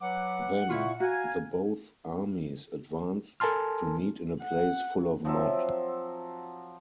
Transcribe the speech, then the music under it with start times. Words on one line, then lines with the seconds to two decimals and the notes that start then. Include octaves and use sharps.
Then, the both armies advanced to meet in a place full of mud.
0.01 F#3 B4 F#5 D6
0.70 A#2 E4 F4 C#6
1.00 F#4 F5 G#5 A#5
3.40 A4 A#4 G#5 A5 C6 F6
4.40 F#5
5.25 F3 F#3 C4 E5